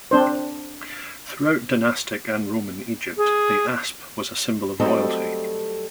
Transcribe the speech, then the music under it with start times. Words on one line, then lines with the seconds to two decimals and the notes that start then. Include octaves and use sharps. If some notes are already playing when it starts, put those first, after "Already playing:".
Throughout dynastic and Roman Egypt, the asp was a symbol of royalty.
0.11 C4 D4 C5
3.17 G#4
4.80 F#3 G3 A3 C4 A4 D#5